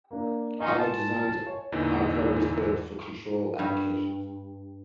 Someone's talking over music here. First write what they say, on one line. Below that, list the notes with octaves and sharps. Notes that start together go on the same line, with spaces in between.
Other designs are purpose built for control applications.
A#3 D4
C#4 D#4 G#5 C6
A5
C#5
E2 A#2 D3 E3 D#4
G2